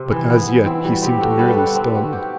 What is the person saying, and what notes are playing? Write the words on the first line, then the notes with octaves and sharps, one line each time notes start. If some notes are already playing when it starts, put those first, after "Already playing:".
But as yet he seemed merely stunned.
Already playing: C3
E3
B3
E3
C4 E4
G3 F#4
C4 G4
F#4 A4
G3 B4
A4
G3 B4
C4
F#4
G4